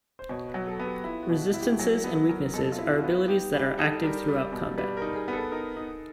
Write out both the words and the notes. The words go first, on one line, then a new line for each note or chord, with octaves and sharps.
Resistances and weaknesses are abilities that are active throughout combat.
C5
B2 C#5
B4
F#3
A4
B3
G4
E4 F4
F#4
B2
F#4
E4
G4
F#3 G#4
B3 A4
F#3 A#4
B2 A4
F4
E4
F#4
B3 F4
F#4
D#4 G4
G3 G#4
D#4 A4
G3 A#4
G3
B2
G3 B4
A#4
D#4
G#4
B3
A4
D#4 A#4
D#4